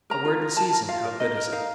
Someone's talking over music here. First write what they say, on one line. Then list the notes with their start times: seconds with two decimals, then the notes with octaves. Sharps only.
A word in season, how good is it?
0.10 A#4 A#5
0.25 F4
0.42 A#4
0.57 F4 A5
0.73 A#4
0.88 F4 F5
1.05 A#4
1.20 D#4 D#5
1.37 A#4
1.52 D#4 F5